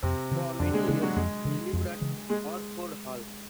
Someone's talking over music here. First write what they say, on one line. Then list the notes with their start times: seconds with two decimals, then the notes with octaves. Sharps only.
For many years he lived at Orford Hall.
0.02 F2 C3 C4
0.31 C#3 E3
0.59 F2 D3 D4
0.74 G#3 G#4
0.87 C#3 E3 G#3 G#4
1.02 F#3 F#4
1.16 F2 G#3 G#4
1.45 C#3 E3
1.73 F2
2.01 C#3 E3
2.29 G#3 G#4